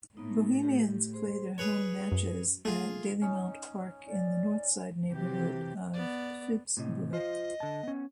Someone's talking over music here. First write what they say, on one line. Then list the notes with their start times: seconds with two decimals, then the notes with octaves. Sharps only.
Bohemians play their home matches at Dalymount Park in the Northside neighbourhood of Phibsborough.
0.17 A2 A#3 B3 D#4
0.63 G4
1.13 G#4 C5 C6
1.58 G#4 B4 C#5
2.12 F#2
2.65 A3 F4 G#4
3.22 C#4 D#4
4.07 D5
5.09 C3 E3 F#3 G4
5.93 B3 D5
6.77 A2 C3 D#5
7.13 F4 C5 D#5
7.60 D3 A5
7.83 B3 C#4